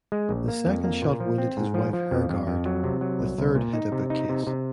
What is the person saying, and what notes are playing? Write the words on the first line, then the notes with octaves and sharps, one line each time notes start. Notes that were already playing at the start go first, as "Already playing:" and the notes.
The second shot wounded his wife Hergard; the third hit a bookcase.
G#3
A#1
A#3
F2
A#3
A#2
F3
C4
G#2
F3
F3
F2
F2
F2
F#3
C3
F#3
C2
C2
A#2
D#4
C3
D#4
C3
C3